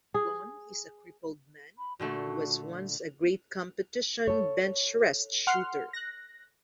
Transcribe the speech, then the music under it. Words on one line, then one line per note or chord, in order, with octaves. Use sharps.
Lon is a crippled man, who was once a great competition benchrest shooter.
G#4
B5
A#2 D3 A3 F#4
A4 C#5
F#5 C6 F6
F#6 A#6